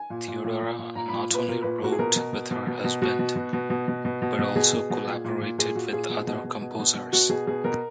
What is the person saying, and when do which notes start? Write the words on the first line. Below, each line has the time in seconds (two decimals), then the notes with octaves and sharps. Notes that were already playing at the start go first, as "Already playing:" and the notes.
Theodora not only wrote with her husband, but also collaborated with other composers.
Already playing: G#5
0.10 A#2
0.28 A#2
0.44 A#2
0.62 A#2
0.79 A#2
0.95 A#2 A#5
1.08 A#2 B5
1.31 A#2 B4
1.48 A#2 A#4
1.62 A#2 B4
1.82 A#2 F#4
1.92 G#4
1.99 B2 A#4
2.16 B2
2.33 B2
2.51 B2
2.67 B2
2.84 B2
3.02 B2 F#4
3.19 B2
3.36 B2
3.53 B2
3.70 B2
3.88 B2
4.05 B2
4.22 B2
4.39 B2
4.55 B2 G#4
4.73 B2
4.90 B2
5.07 A#2
5.24 A#2
5.41 A#2
5.58 A#2 G#4
5.75 A#2 F#4
5.93 A#2 G#4
6.09 B2
6.27 B2
6.44 B2
6.61 B2
6.79 B2
6.95 B2
7.13 B2 F#4
7.29 B2 G#4
7.47 B2 G#4
7.64 B2 A#4